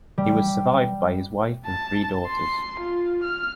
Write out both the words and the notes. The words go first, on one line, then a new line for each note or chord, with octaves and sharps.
He was survived by his wife and three daughters.
G3
A5
C6
F4
F6